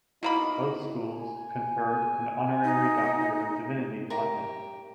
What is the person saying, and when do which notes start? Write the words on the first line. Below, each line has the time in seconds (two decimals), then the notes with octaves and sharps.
Both schools conferred an honorary doctor of divinity on him.
0.23 B2 A#3 D#4 E4 B5
1.11 G#5
2.64 D#4
4.10 G4 A#4